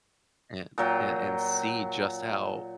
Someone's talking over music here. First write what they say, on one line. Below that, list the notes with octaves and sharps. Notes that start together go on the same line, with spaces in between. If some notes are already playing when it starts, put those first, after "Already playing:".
and and and see just how
A#2 F#3 G5 A#5